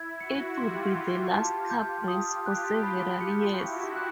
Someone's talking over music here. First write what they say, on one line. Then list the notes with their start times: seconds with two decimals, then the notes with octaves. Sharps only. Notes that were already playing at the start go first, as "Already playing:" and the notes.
It would be last Cup race for several years.
Already playing: E4 G#6
0.20 E4 F#4 C#7
0.57 F4 G4 C6
0.96 C6
1.33 A5
1.70 G6
2.08 D#6
2.46 F4 G4 F#6
2.83 B5
3.21 C#7
3.58 E4 F#4 C#6
3.96 F#6